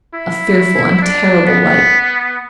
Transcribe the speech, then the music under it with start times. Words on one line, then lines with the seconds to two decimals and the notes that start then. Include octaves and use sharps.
A fearful and terrible light!
0.14 E4
1.02 D4
1.45 B3